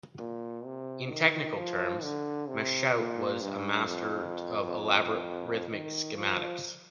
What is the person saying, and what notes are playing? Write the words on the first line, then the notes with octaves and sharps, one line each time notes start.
In technical terms, Machaut was a master of elaborate rhythmic schematics.
A#2
C3
D#3
F3
D3
C3
A#2
G2
F2
D#3
F3